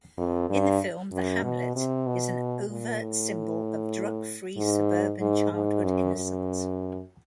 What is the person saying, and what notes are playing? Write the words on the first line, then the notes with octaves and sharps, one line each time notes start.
In the film, the hamlet is an overt symbol of drug-free suburban childhood innocence.
F2
G2
F#2
B2
C3
B2
A#2
A2
G#2
G#2
G#2
F#2
F#2